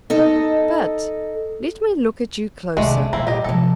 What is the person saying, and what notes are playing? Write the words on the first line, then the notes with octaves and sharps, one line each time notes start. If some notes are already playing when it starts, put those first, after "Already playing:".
But let me look at you closer.
D#4 A4 D#5
C3 D#3 G#3 A3 D5
C4
G2 A#2 A#3 C4 E4
G4 D#5
C3 F3 A4